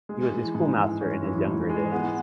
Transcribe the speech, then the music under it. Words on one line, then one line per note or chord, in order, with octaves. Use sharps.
He was a schoolmaster in his younger days.
G#3
E3
G#2
E3
C#4
E3
G#2
G#3
B3